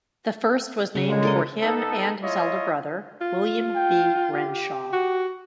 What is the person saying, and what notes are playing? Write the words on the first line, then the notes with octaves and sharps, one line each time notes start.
The first was named for him and his elder brother, William B. Renshaw.
C#3
A#2 D3 G#3
A4 A#4 D#5
B3 D#4 A4
E4 F4 C#5 D#5
F4
G5
G4
F#4